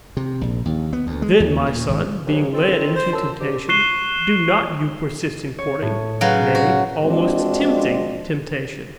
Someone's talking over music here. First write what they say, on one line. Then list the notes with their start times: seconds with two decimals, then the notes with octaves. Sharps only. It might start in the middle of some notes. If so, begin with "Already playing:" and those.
Then, my son, being led into temptation, do not you persist in courting, nay, almost tempting temptation.
0.17 C3
0.41 A#1
0.65 D#2
0.93 B3
1.07 D2
1.22 G#3
1.40 D#2
1.66 A#2
1.89 G#1
2.26 D#2 G#2 E3 F#3
2.53 D#3 C4 F4 A4
2.96 C5
3.12 F#2 A5 C6 E6
3.39 G#2 D3 G4
3.69 C#6 F#6 C7 D#7 E7 G7
5.58 C#5
5.82 A2
6.21 C#3 F#3 B4 F5
6.55 F#4
7.03 G2 F3 G#3 C4 D4 F#4